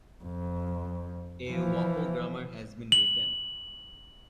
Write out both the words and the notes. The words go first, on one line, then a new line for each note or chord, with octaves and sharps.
A Wappo grammar has been written.
F2
E3 F3
F#7